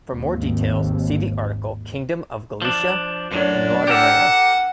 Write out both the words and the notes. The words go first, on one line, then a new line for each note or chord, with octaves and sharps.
For more details, see the article Kingdom of Galicia and Lodomeria.
G#1 D#2
F3 D4
F#2 A2 F#3 D4
G4 A#4 E5 F#5